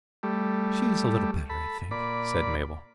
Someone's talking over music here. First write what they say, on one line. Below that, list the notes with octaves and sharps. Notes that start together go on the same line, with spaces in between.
"She is a little better, I think," said Mabel.
G3 A3
A4 B5
A#2 D5 B5